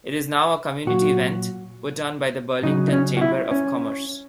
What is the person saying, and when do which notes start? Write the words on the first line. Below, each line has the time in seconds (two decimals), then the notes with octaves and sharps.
It is now a community event put on by the Burlington Chamber of Commerce.
0.86 A#2 F#3 F#4
2.63 C#3 F#3 D#4
2.88 D#4
2.93 C#4
3.17 F#4
3.21 E4
3.51 C#4